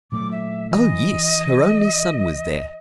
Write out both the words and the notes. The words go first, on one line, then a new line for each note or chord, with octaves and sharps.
Oh! yes: her only son was there.
A#2 F#3 A3 D6
E5
E3 D#5